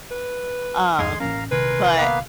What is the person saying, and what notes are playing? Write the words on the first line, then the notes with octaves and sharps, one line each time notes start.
um but,
B4
A#1 E2 G2 G#3 D#4 G#5 C6
A1 A#3 C#4 F5 A#5
A#1 C3 D#3 A#4 B4 G#5 C6
A#3 B3 B4 F5